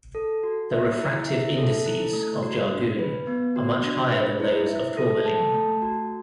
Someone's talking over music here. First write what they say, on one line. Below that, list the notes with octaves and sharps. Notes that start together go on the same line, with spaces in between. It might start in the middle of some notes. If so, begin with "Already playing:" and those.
The refractive indices of jargoon are much higher than those of tourmaline.
A4
F#4
E5
E4
E5
A4
E4
A3
F#4
D4
B4
B3
F#4
D4
B4
E4
E5
A4
A5
A3
F#4